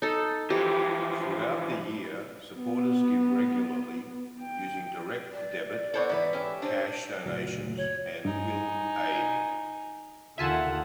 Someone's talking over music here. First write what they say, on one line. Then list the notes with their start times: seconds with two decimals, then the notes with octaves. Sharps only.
Throughout the year supporters give regularly using direct debit, cash donations, and Will Aid.
0.02 D#4 A4
0.50 E3 F3 G4
2.55 B3
4.41 G5
5.32 D5
5.94 B3 D4 E4 A4 C5 C#5
6.09 G#2 E3 B4
6.33 C#4 G4 E5
6.62 D4 C5
7.26 F#1 D2 A#2 F#3
7.78 C#5
8.25 G2 D#4 G#5
10.38 D#2 D3 F4 E5 F#5 G#5 A5